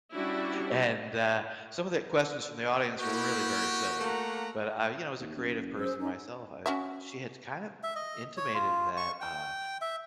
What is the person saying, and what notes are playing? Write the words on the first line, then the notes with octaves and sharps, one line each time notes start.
And, uh, some of the questions from the audience were really very silly, but, uh, you know, as a creative person myself, I she had kind of intimated that, uh,
G3 C#4 D4 E4 F#4 G4
A#3 D#4 E4 F#4 G4
A3 A#3 F#5 A#5
D#2
F#1
F#2 G#4 C5 E6
F#2 C#4 D#4
C#4 F#4 E5
E5
D#5
C#5
F4
C#6
G5
E5